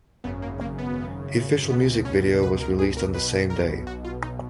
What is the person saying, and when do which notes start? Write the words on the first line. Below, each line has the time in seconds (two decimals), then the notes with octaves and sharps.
The official music video was released on the same day.
0.24 G#1 F#2 C#3 B3
0.42 A#3
0.61 A#3
0.79 B3
1.70 C#2 B2 B3
2.05 C#4
2.42 B4
2.61 A#4
2.79 G#4
2.97 A#4
3.15 B1 B2 B4
3.50 A#4
3.87 F#4
4.04 F4
4.23 D#4